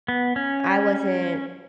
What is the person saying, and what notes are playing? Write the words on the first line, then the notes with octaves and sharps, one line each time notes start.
I wasn't
B3
C#4